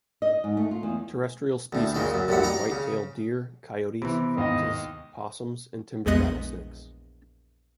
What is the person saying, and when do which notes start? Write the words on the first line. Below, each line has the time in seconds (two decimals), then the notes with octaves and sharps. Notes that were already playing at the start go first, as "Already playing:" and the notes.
Terrestrial species include white-tailed deer, coyotes, foxes, opossums, and timber rattlesnakes.
0.22 D#5
0.44 G#2
0.57 A3
0.71 F4
0.83 E2
1.73 D2 A2
1.94 A#2 C#3 G#3 D5
2.14 F#2
2.28 C2 F#2 A2 C3 F#5 B5
2.43 D5 D#5 A#5 D6
2.71 C#3
4.02 C3 E3 B3
4.37 D#2 G#2 D#5
6.06 A#1 E2 G#3 B3 D#5 F#6